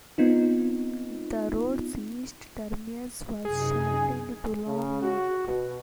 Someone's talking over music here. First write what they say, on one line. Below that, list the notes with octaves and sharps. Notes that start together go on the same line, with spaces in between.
The road's east terminus was shortened to Long Lake.
B3 C4 D#4 F4
F#2 C3 D#4 G#4
C#3
F#4
B2